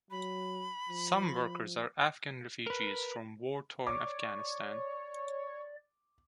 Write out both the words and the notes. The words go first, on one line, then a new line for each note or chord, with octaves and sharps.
Some workers are Afghan refugees from war-torn Afghanistan.
F#3 B5
F3
A#4 B4
C#5 D5 D6